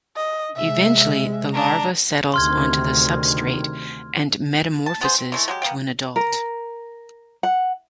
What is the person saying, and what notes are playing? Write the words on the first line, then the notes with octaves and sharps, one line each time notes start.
Eventually, the larva settles onto the substrate and metamorphoses to an adult.
D#5
C3 G#3 E5
D4 A#5
D2 C3 D#3 C6 F6 G#6
A5
B3 G#4 C5
C4
E3 G#3 A3
F#3 G#3 G4
A#3 B3 F5 G5
A#4
F#5